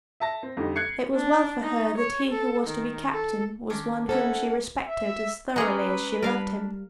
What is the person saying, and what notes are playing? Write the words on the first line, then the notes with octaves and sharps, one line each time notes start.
It was well for her that he who was to be captain was one whom she respected as thoroughly as she loved him.
E5 A5 A#6
C4
F2 D3 G3 D#4
F#6 G#6 C7 C#7
D4
D#4
C#5
A4
D#3
A4
D#3 C#4 D4
C#4 D#4 E4 A4 C5 F#5
E5
G#3 C#4 G#4 B4 D5 A#5
G3 D4 A#4 F5 B5